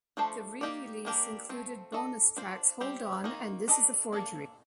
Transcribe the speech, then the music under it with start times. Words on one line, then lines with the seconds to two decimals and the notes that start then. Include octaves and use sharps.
The re-release included bonus tracks "Hold On" and "This Is a Forgery".
0.17 F3 A3 D4 A4 C5
0.61 A#3 D#4 G4 D5
1.05 G3 A#3 D4 G4 A#4
1.49 F3 A3 C4
1.92 D4 A4 D#5
2.37 D4 F4 C5
2.81 G3 C4 G4 C5
3.24 D#3 A#3 D#4
3.68 D4 A4 D#5
4.12 A#3 D4 A4 D5